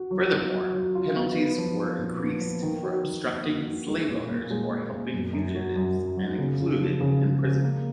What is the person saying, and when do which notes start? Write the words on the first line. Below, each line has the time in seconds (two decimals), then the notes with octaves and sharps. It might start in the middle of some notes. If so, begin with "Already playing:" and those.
Furthermore, penalties were increased for obstructing slave owners or helping fugitives, and included imprisonment.
Already playing: F#4
0.11 F#3
0.32 F4
0.52 F#3
0.74 F#3
0.95 F4
1.16 B3
1.36 B3
1.58 F3
1.78 F4
1.99 A#2
2.20 B3
2.40 F3
2.63 D#3
2.82 F#4
3.04 D#3
3.25 A#3
3.46 D#3
3.67 D#3
3.88 G#3
4.08 A#2
4.29 A#2
4.50 G#3
4.70 A#2
4.91 A#2
5.12 F#2
5.33 F#2
5.55 F#3
5.76 F#2
5.96 F#2
6.17 F#3
6.38 C#3
6.60 C#3
6.80 F3
7.01 C#3
7.22 G#3
7.43 C#3
7.63 A#3